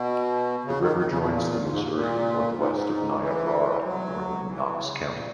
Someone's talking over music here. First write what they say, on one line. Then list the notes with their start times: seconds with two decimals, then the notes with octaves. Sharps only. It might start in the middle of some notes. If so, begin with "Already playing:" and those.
The river joins the Missouri northwest of Niobrara in northern Knox County.
Already playing: B2
0.65 C#3
0.81 D#3
0.96 D#3
1.08 C#3
1.18 B2
1.29 A#2
1.61 G#2
1.71 G#2
1.81 A#2
1.92 A#2
2.57 G#2
2.72 G#2
3.20 E3
3.84 F#3
4.47 E3
4.79 C#3
5.12 A#2